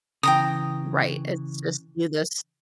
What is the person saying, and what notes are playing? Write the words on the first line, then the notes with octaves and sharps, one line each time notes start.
Right. It's just, "Do this"
C#3 E3 G5 A#5 D#6